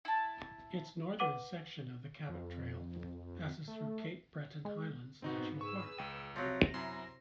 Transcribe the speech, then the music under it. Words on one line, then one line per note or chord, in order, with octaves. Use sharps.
Its northern section of the Cabot Trail passes through Cape Breton Highlands National Park.
E4 A5
B4 F#5 D6 D#7 F#7
F2
A3
G#3
G#2 B3 C4 D#4 F#4
G#4 B4 C#6 E6
C#2 G5 D#7
C3 F3 F#3 A#6
F#2 E4 A#5 C6